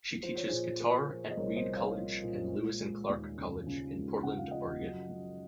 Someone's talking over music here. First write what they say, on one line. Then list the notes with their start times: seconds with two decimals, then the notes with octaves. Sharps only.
She teaches guitar at Reed College and Lewis and Clark College in Portland, Oregon.
0.23 F3 C5
0.35 C#5
0.48 A#2 G#4 C5
0.80 A#3
1.08 F3
1.31 D#5
1.37 C2 A#4 C#5
1.56 C5 D#5
1.66 C2
1.75 C#5 F5
1.94 F3
2.23 A#2
2.51 G#3
2.80 G#3
3.09 D#2
3.37 C#3
3.67 C#3
3.95 G#3
4.23 C#3 F#5
4.37 F5
4.51 F3 D#5 F#5
4.80 F#2
5.09 F#2